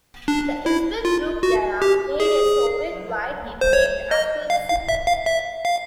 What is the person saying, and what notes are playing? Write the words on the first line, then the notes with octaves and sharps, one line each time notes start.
The Uzbek group Yalla made a Soviet-wide hit named after the city.
D4
E4
F4
F#4
G4
G#4
C5
C#5
D#5
F5
F5
E5
F5
E5
F5